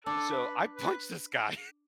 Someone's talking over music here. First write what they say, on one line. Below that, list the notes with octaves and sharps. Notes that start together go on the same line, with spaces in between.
So, I punched this guy,
D4 A4
B4
B4